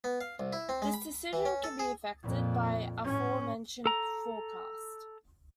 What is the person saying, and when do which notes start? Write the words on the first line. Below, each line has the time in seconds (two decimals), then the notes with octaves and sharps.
This decision can be affected by aforementioned forecast.
0.04 B3
0.21 F5
0.40 C2
0.53 E4
0.69 C4
0.82 G#3
0.94 B5
1.33 E3
1.45 C#4
1.64 A4
1.79 G#4
2.23 F2 A#2
3.04 A2 C#4
3.86 A4 A#5